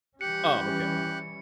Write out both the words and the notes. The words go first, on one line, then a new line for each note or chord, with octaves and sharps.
Oh, okay.
E3 G3 C#4 G4 F#6 C#7